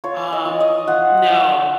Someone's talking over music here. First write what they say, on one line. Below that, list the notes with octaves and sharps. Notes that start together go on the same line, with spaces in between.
Um, no.
F4 C#5
D#5
F4
D#5
F4 F#5
F4